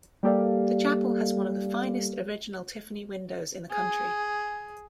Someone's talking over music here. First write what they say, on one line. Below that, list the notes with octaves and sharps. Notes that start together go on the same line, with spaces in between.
The chapel has one of the finest original Tiffany windows in the country.
G3 A#3 G4 A4 D5 F5
G#4